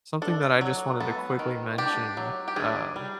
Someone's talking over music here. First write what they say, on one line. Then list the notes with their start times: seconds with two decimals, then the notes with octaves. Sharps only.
something that I just wanted to quickly mention, uh,
0.22 D4 A4
0.61 F#3
1.00 B3 A4
1.39 D#3
1.78 D4 G4
2.17 F#3
2.48 G4
2.56 D4 G#4
2.96 G3